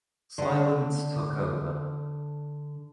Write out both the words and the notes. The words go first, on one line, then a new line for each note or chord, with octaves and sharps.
Silence took over.
D3 F#5